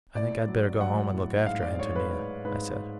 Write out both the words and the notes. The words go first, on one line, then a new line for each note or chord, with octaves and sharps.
"I think I'd better go home and look after Antonia," I said.
A2 D5
F#3
F#3 F#5
A2
G#2 F5
D5
G#2 C#5
B4
G#2
G#2 B4